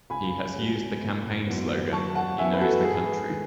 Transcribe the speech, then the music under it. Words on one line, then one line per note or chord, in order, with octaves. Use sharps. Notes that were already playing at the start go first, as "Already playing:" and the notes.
He has used the campaign slogan, He knows the country.
C#2 G#5 B5
B2 G#3
F#1
F#2 E3 B3
F#2 A5 C#6
F#5 A5
E3 B3 E5 G#5
B4
F#4 A4
G#2 G#4 B4
D#3 G#3